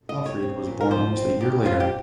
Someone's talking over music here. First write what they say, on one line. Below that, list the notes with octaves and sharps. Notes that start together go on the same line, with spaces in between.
Alfried was born almost a year later.
D#5
G3
C#5
C4
A#2
A#4
F3 C5
C4
D#4 G4
F3 F4
G4